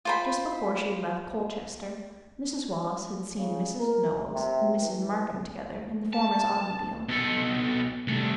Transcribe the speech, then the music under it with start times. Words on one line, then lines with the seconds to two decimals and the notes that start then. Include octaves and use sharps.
Just before she had left Colchester, Mrs. Wallace had seen Mrs. Knowles and Mrs. Markham together in the former's automobile.
0.05 F4 C5 B5
3.36 C#3
3.80 A#4
4.33 C3
4.81 E3
6.13 A5
7.09 B2 A4
8.07 C2 A3